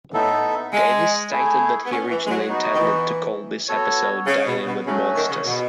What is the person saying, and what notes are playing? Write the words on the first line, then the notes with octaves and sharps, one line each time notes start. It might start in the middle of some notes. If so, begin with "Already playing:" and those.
Davies stated that he originally intended to call this episode "Dining with Monsters".
A2 B3 D#4 A4 E5
G#3
A3 E4 G#4
B3
C#4
E3
G#3
F#3
B3 D#4 F#4
D#3
E3
B3 F#4 A4 C#5
C#3
B2
B2
C#3 F#3 A3 C#4 F#4
D#3
C#3
B2